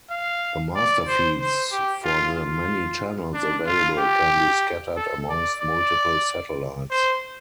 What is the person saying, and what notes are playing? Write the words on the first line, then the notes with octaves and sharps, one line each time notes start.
The master feeds for the many channels available can be scattered amongst multiple satellites.
F5
D5
C5
C5
G4
F4
F4
D4
F4
G4
A4
D5
D5
C5